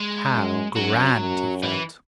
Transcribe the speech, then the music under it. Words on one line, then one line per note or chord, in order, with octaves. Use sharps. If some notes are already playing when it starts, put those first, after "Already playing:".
How grand he felt!
Already playing: G#3
F#2
F#2 F#3
F#2
E3